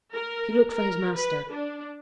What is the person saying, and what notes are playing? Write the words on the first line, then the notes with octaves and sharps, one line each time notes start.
He looked for his master.
A#4
A#4
B4
D4